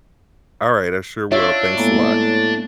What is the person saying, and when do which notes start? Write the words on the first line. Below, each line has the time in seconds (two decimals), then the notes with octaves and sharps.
Alright, I sure will, thanks a lot.
1.32 D4 F4 C#5 E5
1.77 A2 G#3 A#3 B3